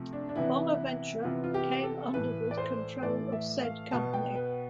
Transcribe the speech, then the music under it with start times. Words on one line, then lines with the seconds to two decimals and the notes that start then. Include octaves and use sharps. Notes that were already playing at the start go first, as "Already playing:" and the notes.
Bonaventure came under the control of said company.
Already playing: C3 F3 A3
0.13 D4
0.29 D4
0.35 C3 E3 B3 E4
1.24 C3 E3 B3 F4
1.44 F4
1.54 G4
1.83 A4
2.13 A2 E3 A3 B4
2.51 D5
2.57 C5
3.02 A2 E3 A3 D5
3.32 E5
3.62 F5
3.91 B2 B3 A5
4.13 G5
4.35 B4